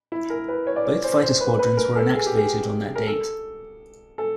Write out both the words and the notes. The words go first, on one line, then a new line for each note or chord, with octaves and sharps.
Both fighter squadrons were inactivated on that date.
E4
A#4
B4
C#5
D5
C#5
C5
C5
B4
B4
A#4
A4
G#4
G4
G#4
A#4
A4
A4